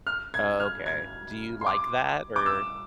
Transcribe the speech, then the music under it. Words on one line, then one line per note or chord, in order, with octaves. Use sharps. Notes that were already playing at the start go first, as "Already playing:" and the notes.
Oh, okay. Do you like that? Or
F6
G#6
F6
G#6
C6
D6
D6
E6